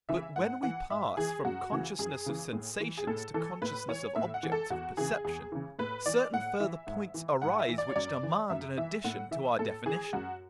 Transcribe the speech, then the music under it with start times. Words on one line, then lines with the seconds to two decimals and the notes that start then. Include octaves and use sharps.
But when we pass from consciousness of sensations to consciousness of objects of perception, certain further points arise which demand an addition to our definition.
0.09 C#3 E3 E5
0.36 G#2 F#5
0.63 E3 F#5
0.90 G#2 E5
1.17 E3 G#4
1.44 F#2 F#4
1.72 C#3 E3
1.99 F#2 G#4
2.26 C#3 E3
2.53 A2
2.80 E3
2.97 G#4
3.07 A2 A4
3.34 E3 A4
3.62 A2 B4
3.88 E3 C#5
4.16 A2 E5
4.34 F#5
4.43 E3
4.52 A4
4.70 E2 F#4
4.97 C#3 E3 G#4
5.24 E2 G#4
5.52 C#3 E3
5.79 A2 B4
6.06 E3 D5
6.33 A2 F#5
6.60 E3 E5
6.87 G#2
7.14 E3
7.42 G#2 F#5
7.59 E5
7.69 E3
7.78 D5
7.89 C#5
7.96 F#2 D5
8.23 E3
8.50 F#2 E5
8.78 E3 E5
9.04 A2 F#5
9.31 E3 E5
9.59 A2 A4
9.86 E3 G#4
10.13 F#2 F#4